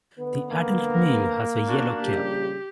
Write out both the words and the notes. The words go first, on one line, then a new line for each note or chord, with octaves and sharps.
The adult male has a yellow cap.
D3 B3
A#3
A#4
D4 F#4
A#1 C#3 G3 G4